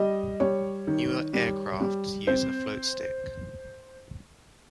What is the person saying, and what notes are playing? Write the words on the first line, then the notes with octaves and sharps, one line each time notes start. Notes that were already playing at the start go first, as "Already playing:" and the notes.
Newer aircraft use a floatstick.
Already playing: G3 D#5
G3 C#5
D#3
G3
G3
C4 C5